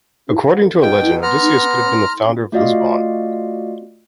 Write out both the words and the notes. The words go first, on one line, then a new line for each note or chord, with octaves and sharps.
According to a legend, Odysseus could have been the founder of Lisbon.
B2 G5
B3 A#5 C6 F6
A3 F4 F#4 D5 D#5 F5